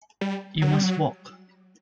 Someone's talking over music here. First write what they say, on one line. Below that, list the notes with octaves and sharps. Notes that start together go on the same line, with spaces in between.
You must walk.
G3
F#3
G3
F#3